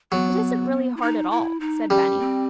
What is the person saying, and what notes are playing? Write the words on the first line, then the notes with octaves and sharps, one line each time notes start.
"It isn't really hard at all," said Benny.
F#3 B3
E4
D#4
E4
D#4
G3 C#4
C4